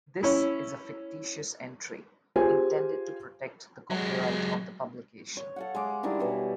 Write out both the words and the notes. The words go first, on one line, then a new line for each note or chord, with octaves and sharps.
This is a fictitious entry, intended to protect the copyright of the publication.
C#4 E4
F4 G4 G#4 C5 G#5
F#3 G#3
C#5
A4 F5 F#5
G#3 D6
D#3 G3 D4 E4
B2 E3 C#5